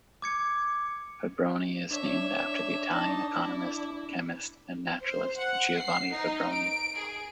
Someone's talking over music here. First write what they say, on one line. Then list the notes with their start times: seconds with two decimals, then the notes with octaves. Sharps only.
Fabbroni is named after the Italian economist, chemist and naturalist Giovanni Fabbroni.
0.22 D6 G#6 C#7
1.91 D4 C#5 E5
2.90 D#4 A5
3.33 E4
5.02 C5
5.36 F#5
5.78 C7
6.12 D#4
6.53 D7
6.97 G#4